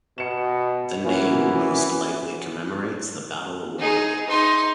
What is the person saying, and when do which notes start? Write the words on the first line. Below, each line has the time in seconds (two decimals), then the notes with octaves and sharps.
The name most likely commemorates the Battle of Waterloo.
0.18 B2 C#7 E7
1.05 E3 A#3 C#4 F#4
3.79 D#4 G#4
4.28 D#4 C6